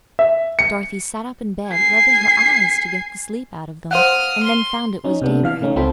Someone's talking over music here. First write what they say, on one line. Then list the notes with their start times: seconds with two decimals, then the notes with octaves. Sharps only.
Dorothy sat up in bed, rubbing her eyes to get the sleep out of them, and then found it was daybreak.
0.19 E5
0.59 C#7
1.70 G#5 C7
3.91 C5 F5 F#5 D#6 F6
4.43 C6
5.04 C#4 D#4
5.22 C3 B3 D4
5.43 E3 F5 F6
5.61 C#3 A3 C#4 D#4
5.76 C#2 C4 F4 A4 B5